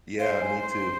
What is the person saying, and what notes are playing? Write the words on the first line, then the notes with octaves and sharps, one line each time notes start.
Yeah, me too.
C5 F5
G#5
C6